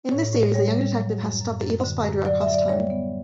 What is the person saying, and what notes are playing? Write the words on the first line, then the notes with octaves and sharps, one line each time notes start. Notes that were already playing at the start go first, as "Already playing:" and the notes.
In this series, the young detective has to stop the evil Spydra across time.
A2 C#5
A2
G3 C#5
G3
F#3
F#2
F#2
F#2
D3
F#2
F#3 D5
E5
F#3
D5
G3 C#5
B3